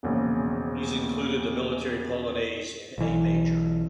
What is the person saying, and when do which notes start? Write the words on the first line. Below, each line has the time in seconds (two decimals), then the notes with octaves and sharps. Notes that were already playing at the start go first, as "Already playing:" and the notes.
These included the "Military Polonaise" in A major.
0.03 E1 A#1 C#3
2.98 B1 E3